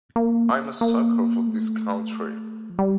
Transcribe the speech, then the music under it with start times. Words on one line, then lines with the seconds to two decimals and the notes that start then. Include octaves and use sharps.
I'm a sucker for this country.
0.16 A#3
0.81 A#3
1.47 A3
2.70 F3
2.79 G3